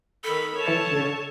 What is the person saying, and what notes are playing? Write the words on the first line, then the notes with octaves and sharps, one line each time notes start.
Thank you.
D#3 A4 B5
C#5 A5